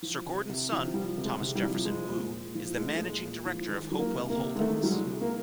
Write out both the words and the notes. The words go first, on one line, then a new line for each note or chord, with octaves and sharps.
Sir Gordon's son, Thomas Jefferson Wu, is the managing director of Hopewell Holdings.
F3
C3
C3
F3
F3 G3
C3
G#3
C3
G3
F3
F3 G#3
A#2
A#2
F3
F3 G#3
A3
A#2 G#3
A#2
F3
D#3 G#3
F#3
A#3
C3
A#3
C3
G#3
D#3 A3
F#3 G3
G#3
C3
A#3